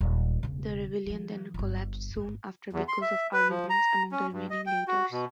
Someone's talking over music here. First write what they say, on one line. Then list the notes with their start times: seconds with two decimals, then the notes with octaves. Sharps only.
The rebellion then collapsed soon after because of arguments among the remaining leaders.
0.01 D#1 G#3
0.43 E1 C#3
1.06 D#3 F3
1.54 D1 G1
2.16 G#1
2.73 E2
2.88 C6
3.02 E5
3.33 B4
3.49 F3
3.70 A#5
4.12 C#4
4.33 G2
4.50 D#5
4.66 G5
4.88 F#4
5.12 B2